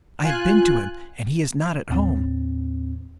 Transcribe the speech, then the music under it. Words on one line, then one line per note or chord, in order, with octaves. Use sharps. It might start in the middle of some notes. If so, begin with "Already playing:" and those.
'I have been to him, and he is not at home.
F4 G#5 F#6
D#2 A2 C4